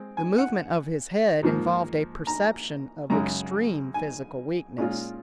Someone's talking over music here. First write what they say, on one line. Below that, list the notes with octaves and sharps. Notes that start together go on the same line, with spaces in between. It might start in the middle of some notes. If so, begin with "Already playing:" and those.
The movement of his head involved a perception of extreme physical weakness.
Already playing: G#3 C4
G#5
F#5
G#2 F3 A#3
A#5
F#2 C#3 G#3 A#5
G#5
A#2 G#3 C#4 F4